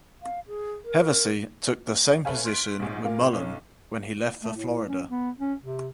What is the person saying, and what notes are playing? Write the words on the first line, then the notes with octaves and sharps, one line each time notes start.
Hevesy took the same position with Mullen when he left for Florida.
F5
G#4
A#4
A4 B4 C#5 E5 F5 G#5
C6 F6 F#6 B6 D7
A#1 G#2
A#2 A#3 F4
A2
B1 C#4
A3
A2
C#4
B3
C#4
C3